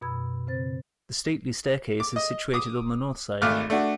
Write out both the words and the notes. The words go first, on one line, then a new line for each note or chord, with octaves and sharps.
The stately staircase is situated on the north side.
F#2 B2 B5 E6 G#6
C#3 C4 C5 A6
D6
D#5
D6 D#6
G#1 A3 F5 D6 F6 F#6
A3 D4 F#4